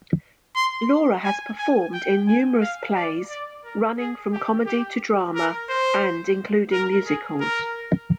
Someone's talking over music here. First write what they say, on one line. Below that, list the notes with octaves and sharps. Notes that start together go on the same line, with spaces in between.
Laura has performed in numerous plays, running from comedy to drama, and including musicals.
C6
G#5
G#5
G5
G#5
F5
D5
D5
A#4
G#4
G4
G4
A#4
C5
A#4
G#4
A#4